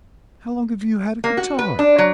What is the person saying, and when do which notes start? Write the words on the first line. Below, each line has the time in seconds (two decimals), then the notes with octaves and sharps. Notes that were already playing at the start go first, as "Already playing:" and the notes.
How long have you had a guitar?
1.24 A#3
1.37 F#4
1.59 B4
1.79 D4
1.98 F#3